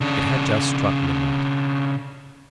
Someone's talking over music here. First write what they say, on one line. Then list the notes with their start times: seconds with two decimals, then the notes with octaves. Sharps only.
It had just struck midnight.
0.01 C#3 D4